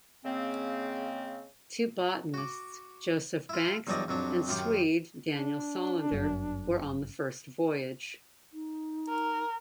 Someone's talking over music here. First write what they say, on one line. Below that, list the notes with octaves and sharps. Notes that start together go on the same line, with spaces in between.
Two botanists, Joseph Banks and Swede Daniel Solander, were on the first voyage.
C#3 G#3 A#3 C4
F#4 D6
E4 F4
E2 G2 F3 F#3 D5 D#5
F2 C3 F#3 D4
F#2 D#3 F4 G4 F#5
D4
G1 F#2
D#4
A#4